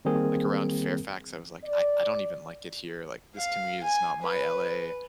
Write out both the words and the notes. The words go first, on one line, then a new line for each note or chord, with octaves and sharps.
Like, around Fairfax, I was like, "I I don't even like it here," like, "this to me is not my LA,
D#3 G3 A#3 C4 G#4 A#4
D5
F5
G#5
B4